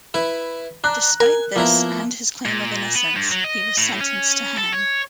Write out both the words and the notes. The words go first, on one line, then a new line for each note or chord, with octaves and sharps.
Despite this and his claim of innocence, he was sentenced to hang.
E4 B4
D4 A#5 F#6
A#4 G#5
F3 A#3 B3 E4 A#5
A#2
B3
G2
F#3
D#5
A2
C#4
A4
C#5